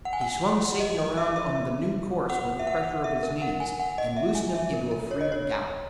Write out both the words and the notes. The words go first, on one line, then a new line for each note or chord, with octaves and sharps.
He swung Satan around on the new course with a pressure of his knees and loosed him into a freer gallop.
F#5
G#5
F#5
D#5
D#5
E5
E5
F#5
E5
F#5
E5
A#4
F#5
G#5
F#5
D#5
E5
G#5
E5
A#4
A#4
C#5
D#5
C#5